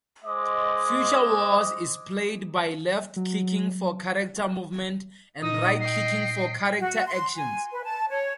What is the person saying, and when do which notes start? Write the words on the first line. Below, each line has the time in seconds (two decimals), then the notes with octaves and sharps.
"Future Wars" is played by left-clicking for character movement, and right-clicking for character actions.
0.24 G#3 C5 D#5 D6 D#6
3.16 F#3
5.42 A#2 D#4 D#5 D#6
5.80 D#5 G5 C7
6.80 F#4
7.07 C6
7.36 G#5
7.72 B4
7.85 A5
8.10 C#5